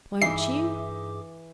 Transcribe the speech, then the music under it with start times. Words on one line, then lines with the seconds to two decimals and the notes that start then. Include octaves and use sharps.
Won't you?'
0.22 G2 E3 D#4 G#4 E5 D6 C7